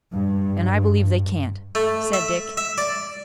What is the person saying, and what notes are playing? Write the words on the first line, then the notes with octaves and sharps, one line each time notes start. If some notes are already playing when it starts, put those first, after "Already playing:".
"And I believe they can't," said Dick.
G2
A3
E5
E5
D5